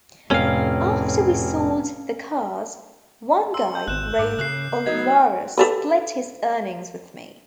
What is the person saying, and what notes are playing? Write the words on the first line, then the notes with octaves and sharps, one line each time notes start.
After we sold the cars, one guy, Ray Olivaras, split his earnings with me.
F1 A2 C#4 F5
C6 E6
G6
G#1 F#6 E7
G#2 D6
C#3 F#6 C7
F#3 B3 D#4 G#6
G4 A4 B4